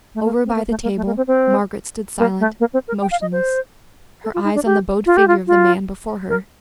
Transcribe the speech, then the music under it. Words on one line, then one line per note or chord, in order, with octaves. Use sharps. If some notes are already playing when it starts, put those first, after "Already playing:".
Over by the table Margaret stood silent, motionless, her eyes on the bowed figure of the man before her.
A3
A#3
C4
A#3
A3
A#3
A3
A#3
C4
C4
A#3
A3
A#3
C4
A#4
G5
F5
D#5
C5
A4
F4
D#4
D4
G4
F4
G4
F4
F4
A#4